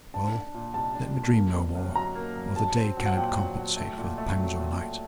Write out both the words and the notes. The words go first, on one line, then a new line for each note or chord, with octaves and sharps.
'Well--let me dream no more, or the day cannot compensate for the pangs of night.
D4 A5
D4
A#2
C2 A5
D4
A#2
A#3
G1
F#2
F#3 A#5
A#3
F#2
F#3 A5
C4
F#3
F#5
A#2 G5
F#3
F#3
A3
A#2
A3
F#3
A#2
A3